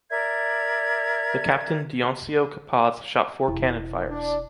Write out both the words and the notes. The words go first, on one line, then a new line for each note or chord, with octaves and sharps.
The captain Dionisio Capaz shot four cannon fires.
A#4 D5 E5 G#6
E1 E4
D4